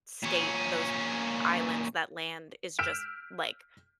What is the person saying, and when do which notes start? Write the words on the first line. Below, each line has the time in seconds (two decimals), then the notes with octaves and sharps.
state, those the islands, that land is just, like,
0.23 A#2 C#4
2.79 E6 F6 G6 B6 D7 E7